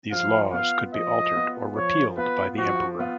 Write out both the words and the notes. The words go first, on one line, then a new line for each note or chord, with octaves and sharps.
These laws could be altered or repealed by the emperor.
F3 F5
B3 F4 F5
F3 D#5
B3 F4
F3 C#5
B3 F4 B4
F3 F#4
B3 F4